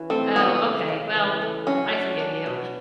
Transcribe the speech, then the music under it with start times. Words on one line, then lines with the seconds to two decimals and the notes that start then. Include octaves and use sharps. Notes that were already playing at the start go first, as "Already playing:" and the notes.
Oh, okay, well, I forgive you,
Already playing: E3 C#4
0.10 A3 C4
0.36 C#3 B3
0.62 A3
0.88 C#3
1.14 E3
1.41 A3
1.67 F#3 C#4
1.93 D4
2.19 D4
2.46 B2